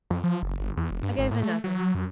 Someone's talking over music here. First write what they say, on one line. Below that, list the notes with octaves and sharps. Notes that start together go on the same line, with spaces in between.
'I gave her nothing.
F2
F3
F#1
G1
E2
F1
G2
G#1
A2
A3
F#3
F#2